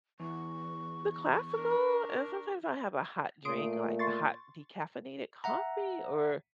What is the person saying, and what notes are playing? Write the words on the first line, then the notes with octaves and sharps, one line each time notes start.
The classical and sometimes I have a hot drink, like, a hot decaffeinated coffee, or
E2 C#6
D4 A#4
A#2 A3 C6 D#6 D7
C6 C#6 A6
E5 F#5 A#5